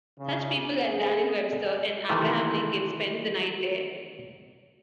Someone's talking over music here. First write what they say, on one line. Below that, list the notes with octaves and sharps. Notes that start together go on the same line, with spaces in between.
Such people as Daniel Webster and Abraham Lincoln spent the night there.
C#3
G#4
C3 D#3 E3 A3